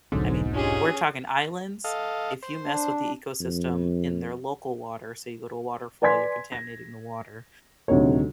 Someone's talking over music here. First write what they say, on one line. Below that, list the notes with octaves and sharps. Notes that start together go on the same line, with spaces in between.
I mean, we're talking islands, if you mess with the ecosystem in their local water- so you go to a waterfall, you're contaminating the water-
D#1 B1 G#2 D3 F#3 C4
C#4 D4 F4 G4 G#4
A4 D#5 F5
C5
D4
F2
B4 D5 G#5 C6 G#6 B6
A#6
D#1 D2 C3 D#4 C#5